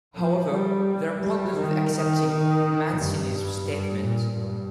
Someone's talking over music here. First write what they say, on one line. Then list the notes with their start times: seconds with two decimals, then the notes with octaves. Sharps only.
However, there are problems with accepting Mancini's statement.
0.15 F3
0.51 G3
1.21 G3
1.56 D#3
1.92 D#3
2.27 D#3
2.97 G2
3.32 G2
3.68 G2
4.03 A#2
4.39 G2